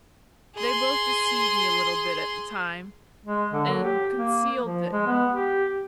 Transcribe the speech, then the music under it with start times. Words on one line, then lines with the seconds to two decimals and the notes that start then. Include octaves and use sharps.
They both deceived me a little bit at the time, and concealed it.
0.56 G#4 C6
3.26 G#3
3.52 D3
3.67 F#3
3.83 G4
4.18 A#3
4.62 F3
4.92 G#3
5.07 B3
5.32 G4